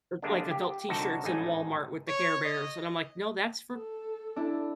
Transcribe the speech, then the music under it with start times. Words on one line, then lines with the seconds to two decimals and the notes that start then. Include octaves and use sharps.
like, adult t-shirts in Walmart with the Care Bears, and I'm like, "No, that's for
0.22 D3 G3 G#3 A#3 D4
0.51 G4
0.89 C2 D3 D#4 F#4 A4
1.24 A1 G#2 A3 D#4 G#5
2.08 C#5
2.44 D#5
3.72 A4
4.36 D4 E4